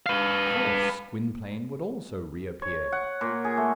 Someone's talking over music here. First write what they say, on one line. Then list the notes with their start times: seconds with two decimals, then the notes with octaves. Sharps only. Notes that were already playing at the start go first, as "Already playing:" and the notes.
Of course, Gwynplaine would also reappear.
0.06 B4 F5
2.62 C#5
2.92 F#5
3.21 A#2
3.45 G#4
3.57 A3